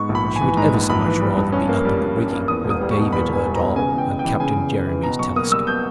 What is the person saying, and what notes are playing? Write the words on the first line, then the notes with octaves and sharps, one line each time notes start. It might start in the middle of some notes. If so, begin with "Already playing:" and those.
She would ever so much rather be up in the rigging with David her doll and Captain Jeremy's telescope.
Already playing: G#2 B3 C#6
A#1
B5
A#1
G#5
E3
G#2 A#5
A#1
A#1 B5
E3
G3
G2
C#4
A#3
G3
G2
C#4
A#3
E2 D#6
E1
D#6
G3
C#6
B2
E2 B5
E1 G#5
G3
A#5
B2
C#3 G#5
E2
G5
G#3
G5
E3
C#3 G#5
E2
G#3
E3
B2 A#5
B1 C#6
A#3 D#6
G3 E6
B2 G6